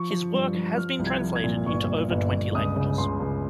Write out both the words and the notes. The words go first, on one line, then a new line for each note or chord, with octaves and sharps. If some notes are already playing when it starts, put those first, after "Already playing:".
His work has been translated into over twenty languages.
Already playing: F3 C#6
F3
G2
F3
F3 F6
C2
G#6
F3
G#6
A#2
G1 C#6
G1
G1
G1
C#2 D#6
C#3
C#2 C6
C#2